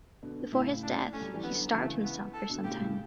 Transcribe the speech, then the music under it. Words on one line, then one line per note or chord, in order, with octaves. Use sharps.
Before his death he starved himself for some time.
B2 D3
A2 C#3 E4
D4
A3 C#4
G3
F#3
E3 G3
D3 F#3 B3
D3
C#3 E3 A3
B3
A4
B2 D3
A2 C#3 G4
A2 C#3